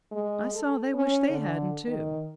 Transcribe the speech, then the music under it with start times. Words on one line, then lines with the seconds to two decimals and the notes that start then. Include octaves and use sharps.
I saw they wished they hadn't too.
0.11 G#3
0.54 A4
0.94 C#4
1.30 D3
1.88 D#3